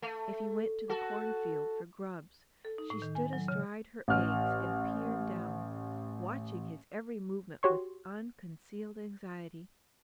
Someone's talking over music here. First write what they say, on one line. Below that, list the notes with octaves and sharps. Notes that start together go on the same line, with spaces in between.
If he went to the corn field for grubs, she stood astride her eggs and peered down, watching his every movement with unconcealed anxiety.
A3
F#4 A4
A4
D#4
A2
D#3
G#5
F#3
C#3
A1 F6
F#4 G4 C#5 C6 C#6